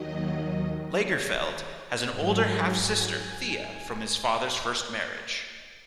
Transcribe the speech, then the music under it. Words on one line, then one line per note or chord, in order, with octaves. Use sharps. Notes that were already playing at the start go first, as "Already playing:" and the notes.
Lagerfeld has an older half-sister, Thea, from his father's first marriage.
Already playing: D#2 D#3 F#3 D#5
C#5
G#2 F#3
G#5